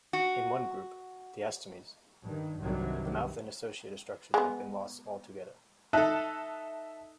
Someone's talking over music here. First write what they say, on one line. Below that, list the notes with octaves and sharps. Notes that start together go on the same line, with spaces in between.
In one group, the astomes, the mouth and associated structures have been lost altogether.
F#4
G2 D#3
C2 G2 C3 D#3 F#3 G3
G#3 B3
D#4 A4 E5 A5 F#6